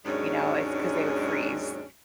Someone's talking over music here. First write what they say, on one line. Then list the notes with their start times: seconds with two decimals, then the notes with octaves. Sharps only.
you know? It's 'cause they would freeze,
0.05 D#2 G#2 F#3 G#3 C#4 D4